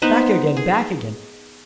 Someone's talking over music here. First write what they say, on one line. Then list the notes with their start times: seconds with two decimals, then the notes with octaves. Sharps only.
'Back again! back again!
0.02 B3 D#4 B4 C5
0.57 G#4